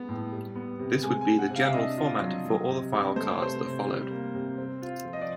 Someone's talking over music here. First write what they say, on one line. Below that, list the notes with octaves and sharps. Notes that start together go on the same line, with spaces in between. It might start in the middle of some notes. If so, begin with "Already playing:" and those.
This would be the general format for all the file cards that followed.
Already playing: G#3 B3
A2
G3
B3
C3
G#3 G#5
G#5
C3
F#5
C3
F5
E5
D4 D#5
F4
F#3
F#3
C3
C3
A3 C5
C#5
C3 C5
C3
G3
A#3
C3
C4
F4
F3
D#5
D5